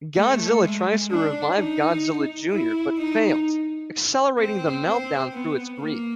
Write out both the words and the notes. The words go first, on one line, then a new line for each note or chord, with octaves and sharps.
Godzilla tries to revive Godzilla Junior, but fails, accelerating the meltdown through its grief.
A3
G#3
D4
D#4
E4
D#4
C4
C4
B3
A#3